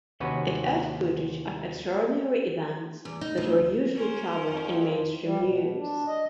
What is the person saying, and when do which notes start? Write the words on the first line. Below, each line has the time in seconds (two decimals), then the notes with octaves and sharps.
It aired footage of extraordinary events that were usually covered in mainstream news.
0.20 D#2 C3 C#4 F#4 B4
3.05 E2
3.21 D#4
3.37 D2
3.94 C#4 A#4 C5
4.49 F2
5.23 G3
5.45 B2
5.75 D4
6.07 D#5